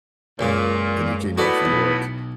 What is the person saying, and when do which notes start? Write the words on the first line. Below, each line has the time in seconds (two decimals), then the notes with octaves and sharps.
and you came home from work,
0.39 C#2 F#2 A#2 C#3
1.38 A2 B3 F#4 A4 D5
1.65 B1